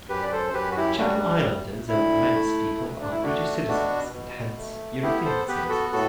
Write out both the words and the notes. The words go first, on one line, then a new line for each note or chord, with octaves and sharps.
Channel Islanders and Manx people are British citizens and hence European citizens.
F#2 G4 B4
D5
A4 C5
C5
F#2 G4 B4
F#4
E4 G4
G3 D4 F#4
D4
D2
D2 E4
A3
D2
D4
E4
A3 D4 F#4
B2 D4 F#4
B2
A3
B3 E4 G4
A4 C5
B3 G4 B4
F#4 A4
A2 F#4 A4